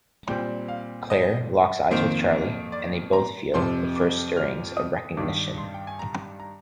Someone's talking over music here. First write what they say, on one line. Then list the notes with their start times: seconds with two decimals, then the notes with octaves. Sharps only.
Claire locks eyes with Charlie, and they both feel the first stirrings of recognition.
0.28 A#2 G3 C4 G5
0.68 F5
1.10 D#5
1.91 F2 D#3 A#3 C5
2.72 D5
3.13 A#5
3.54 F2 C3 F3 C6
3.96 D6
4.37 F6
4.77 D#6
5.17 G2 D#3 G3 D6
5.58 C6
5.74 G5
5.87 G#5
5.99 A#5
6.40 A#5